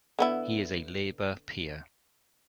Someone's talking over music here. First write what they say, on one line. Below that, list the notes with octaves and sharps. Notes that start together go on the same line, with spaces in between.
He is a Labour peer.
D3 B3 E4